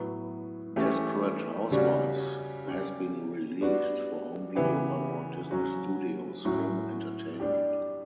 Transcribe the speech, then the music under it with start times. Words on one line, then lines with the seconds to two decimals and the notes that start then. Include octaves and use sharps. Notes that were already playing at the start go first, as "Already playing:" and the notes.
"Desperate Housewives" has been released for home video by Walt Disney Studios Home Entertainment.
Already playing: A2 F#3 B3
0.76 E3 A3 C#4 G4
1.71 C#3 G3 C#4 F#4
2.65 G3 C#4 G4
3.61 G3 B3 D4 F#4
4.55 C#3 E3 B3 E4 G4
5.51 F#3 C#4 F#4
6.45 A2 F#3 C#4 F#4
7.40 G3 D4 G4